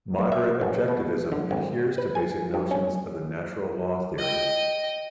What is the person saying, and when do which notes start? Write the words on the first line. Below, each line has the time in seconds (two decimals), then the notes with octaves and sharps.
Moderate objectivism adheres to basic notions of the Natural Law Theory.
0.19 A1
0.32 E5
0.61 A1
0.88 B2
1.32 D3
1.51 G#1
1.98 B4
2.15 G#5
2.54 G2
2.71 C#4
4.18 D#5 G5